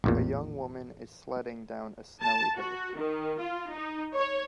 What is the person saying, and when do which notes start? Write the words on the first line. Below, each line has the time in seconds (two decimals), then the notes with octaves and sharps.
A young woman is sledding down a snowy hill.
0.04 A1 E2 A#2
2.21 A5
2.55 F#4
2.98 D#3
3.39 F4
3.72 D#4
4.15 C#5